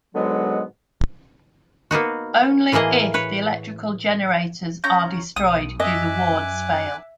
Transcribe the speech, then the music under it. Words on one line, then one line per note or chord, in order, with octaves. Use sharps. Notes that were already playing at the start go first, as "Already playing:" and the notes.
Only if the electrical generators are destroyed do the wards fail.
G#2 B2 D3 F#3 G#3 B3
A#3 B3 D#4 F#4
A2 E3 A#3 G#4 D#5
B4 C#5
C#4 A#5 G6
B1 D#6
F#2 D#5 E5 G#5 D6 F#6